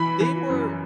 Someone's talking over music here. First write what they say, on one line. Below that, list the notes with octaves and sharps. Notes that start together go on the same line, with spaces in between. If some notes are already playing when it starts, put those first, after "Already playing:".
they were,
Already playing: E3 B5
E3
F#2